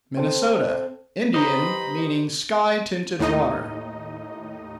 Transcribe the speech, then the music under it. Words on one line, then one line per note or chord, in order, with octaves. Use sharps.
Minnesota--Indian; meaning "sky-tinted water."
C4 A4
G4 B4 C5 D#5 A#5 B5 G6
D#2 A2 D#4 D#5